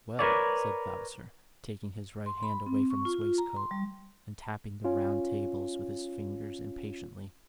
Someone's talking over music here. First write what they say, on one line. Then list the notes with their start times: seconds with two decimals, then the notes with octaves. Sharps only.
"Well," said Vavasor, taking his right hand away from his waistcoat, and tapping the round table with his fingers impatiently.
0.19 A#4 B4 C#5 D5
2.26 C6
2.43 B5
2.66 C4
2.90 C#6
3.05 F4
3.22 F4
3.38 A#5
3.57 C6
3.71 G3
4.84 C#4 F4